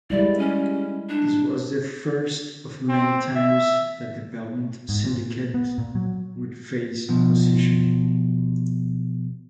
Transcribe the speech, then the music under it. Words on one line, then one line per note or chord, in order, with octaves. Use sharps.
This was the first of many times that the Belmont Syndicate would face opposition.
G3 G#3 E4 D5
C#4
D4
C4
E5
G#2
A#2
B3
A#2
F#3
B2 F3